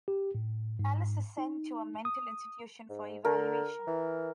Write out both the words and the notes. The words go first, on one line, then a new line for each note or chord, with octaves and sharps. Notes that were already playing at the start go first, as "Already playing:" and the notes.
Alice is sent to a mental institution for evaluation.
G4
A2
G#2
D#4
D#6
G#2
D3 A#4
E3